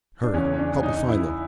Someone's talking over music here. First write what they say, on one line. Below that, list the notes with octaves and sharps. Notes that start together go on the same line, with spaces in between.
"Hurry, help me find them."
D4
E2 C#3 E3 C#4
C#4
D4
D#4
E4